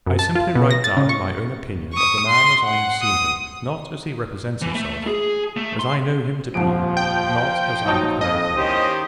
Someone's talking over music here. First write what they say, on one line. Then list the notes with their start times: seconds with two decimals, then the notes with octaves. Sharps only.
I simply write down my own opinion of the man as I have seen him, not as he represents himself; as I know him to be, not as I have heard of him.
0.07 F#2
0.19 A5
0.35 F4
0.55 B2
0.71 A#6
0.84 A6
0.97 C#3
1.09 C#6
1.93 C#6 D#6
2.27 C6
2.63 F#5
3.02 D#6
4.62 E3
4.75 A3
5.07 G#4
5.57 A3
5.79 C6
6.54 D#1 F2 F3 D7
6.97 G5
7.86 A#1 F#3 D#4 A5
8.21 F2 D#5
8.56 D#3 A#3 C#4 E4 G4 C5